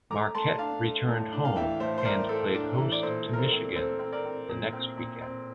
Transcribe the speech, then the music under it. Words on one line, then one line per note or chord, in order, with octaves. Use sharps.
Marquette returned home and played host to Michigan the next weekend.
A3 A#5 D6
A3 A5 C6
D4 F5 A5
A3
A2
D4
F5
E3 E5 G5
A2 C5 E5
C5
A2 A#4 D5
A3 A4 C5
D4
E3
D5
A#2 A4 C5
A3
A#4
A4 C5
C4
C4 A4 C5
C4
A#4 D5
C4
A#2
C4
A#2
C4